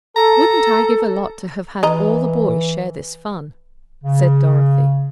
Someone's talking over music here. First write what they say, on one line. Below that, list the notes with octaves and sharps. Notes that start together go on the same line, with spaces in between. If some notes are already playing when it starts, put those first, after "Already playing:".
"Wouldn't I give a lot to have had all the boys share this fun," said Dorothy.
A4 A#5
D#3 E3 D#5 A#5
C#3